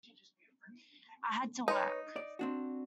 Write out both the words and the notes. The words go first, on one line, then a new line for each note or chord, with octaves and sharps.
I had to work.
D#4 B4 C#5
D5
C4 D4 F#4